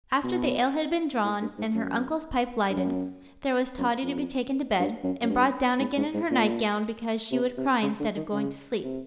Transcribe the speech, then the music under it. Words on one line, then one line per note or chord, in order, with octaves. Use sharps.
After the ale had been drawn and her uncle's pipe lighted, there was Totty to be taken to bed, and brought down again in her night-gown because she would cry instead of going to sleep.
B2
A2
G2
G#2
F#2
G2
F#2
F#2
F2
G2
F#2
F#2
G2
G#2
G#2
G#2
A#2
C3
C3
C#3
D3
D#3
C#3
C3